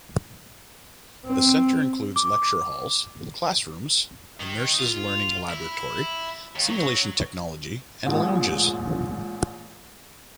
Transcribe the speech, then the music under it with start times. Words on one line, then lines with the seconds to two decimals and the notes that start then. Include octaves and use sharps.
The Center includes lecture halls, classrooms, a nurses' learning laboratory, simulation technology, and lounges.
1.26 C4
2.16 D6
4.40 D#3
4.79 F4
5.50 E4
6.56 D#2
6.69 F#3
8.06 A1 A#2 G#3